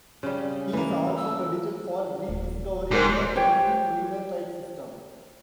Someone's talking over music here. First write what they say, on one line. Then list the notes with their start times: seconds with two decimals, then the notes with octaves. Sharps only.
He is also credited for rediscovering the Hindley-Milner type system.
0.23 C#3 G3 C#4
0.73 E3 A#3
1.16 E6
2.29 D#1
2.91 G#2 G4 A#4 C5
3.36 G4 C5 C#5 G5